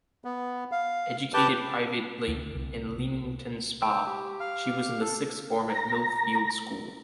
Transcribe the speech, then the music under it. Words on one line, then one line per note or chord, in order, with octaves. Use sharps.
Educated privately in Leamington Spa, she was in the sixth form at Millfield School.
B3
F5
G4 B4 A5 D6 G6
D2
C2
C2
G5 E6
G4
F5
A4
A#5